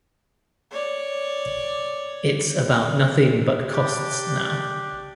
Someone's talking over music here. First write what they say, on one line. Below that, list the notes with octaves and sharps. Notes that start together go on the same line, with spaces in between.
It's about nothing but costs now.
C#5 D5
D4 G4